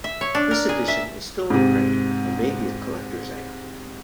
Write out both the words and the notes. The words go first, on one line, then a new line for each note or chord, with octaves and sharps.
This edition is still in print and may be a collectors item.
E5
C#5
D4
A#4
G#4
E5
G#2 C3